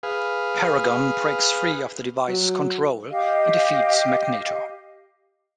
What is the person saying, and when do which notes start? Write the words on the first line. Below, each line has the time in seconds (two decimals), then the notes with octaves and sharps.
Paragon breaks free of the device's control and defeats Magneto.
0.03 G#4 B4 F5
2.28 F#3
3.11 G4 D#5 F5